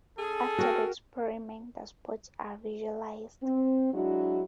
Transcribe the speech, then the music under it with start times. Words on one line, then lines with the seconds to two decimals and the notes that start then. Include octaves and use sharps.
After the experiment, the spots are visualized.
0.19 C#4 G#4 A4
0.58 F#4 A#4 G5
3.43 C4
3.94 F#3 G#3 D4 E4 F#4